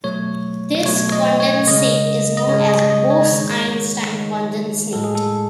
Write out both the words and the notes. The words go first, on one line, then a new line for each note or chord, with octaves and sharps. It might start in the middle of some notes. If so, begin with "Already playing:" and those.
This condensate is known as a Bose-Einstein condensate.
B2 F#3 A3 C#5
B2 F#3 A3 C#5
D#5
C#5
C#3 G#3 D#5
D#5
C#3 G#3 C#5
D#5
D#5
C#5
D#3 G#3
D#3 G#3
A2 G#3 A4
G#4
A4